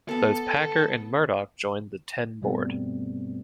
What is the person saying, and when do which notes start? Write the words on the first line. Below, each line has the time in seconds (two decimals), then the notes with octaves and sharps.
Both Packer and Murdoch joined the Ten board.
0.09 B3 A4 A5
2.42 G2 B2 G3 A3 B3 C4